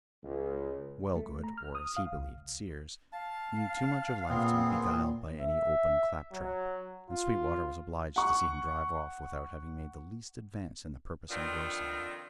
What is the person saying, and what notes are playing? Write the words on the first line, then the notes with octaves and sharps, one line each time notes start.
Wellgood, or, as he believed, Sears, knew too much of life to be beguiled by any open clap-trap, and Sweetwater was obliged to see him drive off without having made the least advance in the purpose engrossing him.
C#2
A3
A#5
F6
D#6
F5
C#2
F5 A5
A#2 B3 C4 G#4
E5
F#3
F4
F#5 C#6
F2 D#3 B3 C4 D4 F4